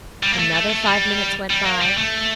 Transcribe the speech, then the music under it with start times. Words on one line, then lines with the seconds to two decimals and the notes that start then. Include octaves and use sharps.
Another five minutes went by.
0.23 G3
0.33 A#3
0.39 A3
0.55 A3
0.70 A3
0.86 G3
1.50 G3
1.65 A#3
1.81 G3
1.97 A3